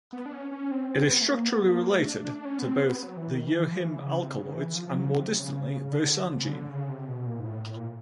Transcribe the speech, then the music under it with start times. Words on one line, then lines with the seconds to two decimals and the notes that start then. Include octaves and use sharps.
It is structurally related to both the yohimbe alkaloids and, more distantly, voacangine.
0.13 B3
0.26 D4
0.33 C#4
0.51 C#4
0.71 C4
0.90 C4
1.10 B3
1.22 A3
1.28 A#3
1.48 B3
1.68 A#3
1.87 A3
2.06 D4
2.25 D4
2.36 D4
2.45 C#4
2.59 B3
2.64 C4
2.84 B3
3.03 F#3
3.17 E3
3.32 D#3
3.47 E3
3.60 E3
3.72 F3
3.80 E3
3.99 C#3
4.19 C3
4.38 C#3
4.52 D#3
4.57 E3
4.76 F3
4.87 F3
4.96 F#3
5.05 C#3
5.15 C3
5.34 C#3
5.85 C#3
5.92 D3
6.34 C3
6.42 C#3
6.49 D3
6.69 C#3
6.89 C3
7.08 B2
7.26 A#2
7.40 G#2
7.46 A2
7.66 A2
7.76 A#2